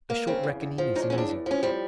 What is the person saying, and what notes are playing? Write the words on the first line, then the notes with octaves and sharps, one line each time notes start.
A short reckoning is an easy reckoning.
A#3
C#3 C4
E2
E2
F3
C#3 D#4
D4
E2 C#4
D4
E2
F3 C#4
G3 C4